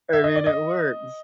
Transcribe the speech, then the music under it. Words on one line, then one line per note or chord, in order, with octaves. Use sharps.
I mean, it works.
E5
D#5
D5
D#5